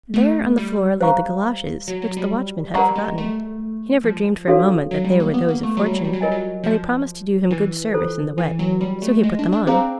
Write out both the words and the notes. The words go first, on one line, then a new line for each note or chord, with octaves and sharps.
There, on the floor lay the galoshes, which the watchman had forgotten; he never dreamed for a moment that they were those of Fortune; and they promised to do him good service in the wet; so he put them on.
A3
G3
C5 F5 A#5 C#6
F#3
F#3
G3
G3 A#4 D5 F#5 A#5 C#6
G#3
A3
F3
D4 F#4 A4 C#5 F5
F#3
G3
A#3
B3
A#3
A3
F#3
G3
F#3
G3
F#3
G3 F4 A#4 D#5 G#5
F#3
F3
E3
F4 A4 C5
E3
F#3
G3
A3
G#3
D4
D4
C4 G#4 C5 F5 A#5